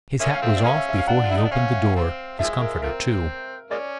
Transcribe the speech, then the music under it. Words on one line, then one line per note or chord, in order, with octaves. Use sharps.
His hat was off, before he opened the door; his comforter too.
G#3 A#3 C#4 E5
F5
F3 A3 C4
E5
D4
G#3 A#3 C#4 F5
E5
E5
F5
D4 F#5
F4
E4 E5
D#4
D4
C#4 F5
F3 A3 C4
D#3 F3 G#3 E5
A#4
F3 A3 C4 A#4
G#3 A#3 C#4 D5